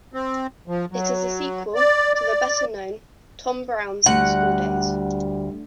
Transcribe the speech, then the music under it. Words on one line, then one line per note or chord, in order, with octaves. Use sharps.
It is a sequel to the better-known "Tom Brown's School Days".
C4
F3
F#3
D5
D5
D2 G3 F#5